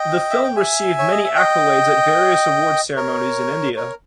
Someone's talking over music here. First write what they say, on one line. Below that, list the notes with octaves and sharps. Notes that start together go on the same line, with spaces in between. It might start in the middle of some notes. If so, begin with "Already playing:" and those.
The film received many accolades at various award ceremonies in India.
Already playing: D#5 G5
E5
G5
E5 G#5
C#5
D#5
E5
D#5 G5
A#4 C#5
A#4 C#5